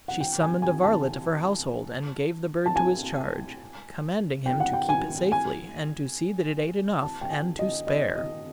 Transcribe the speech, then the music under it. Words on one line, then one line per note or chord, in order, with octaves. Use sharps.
She summoned a varlet of her household and gave the bird to his charge, commanding him to keep it safely, and to see that it ate enough and to spare.
F#5
G5
G#5
G#5
A5
A5
G#5
G5
F#5
G5
G#5
G#5
A5
G5
G#5
D#5
D#5
D#5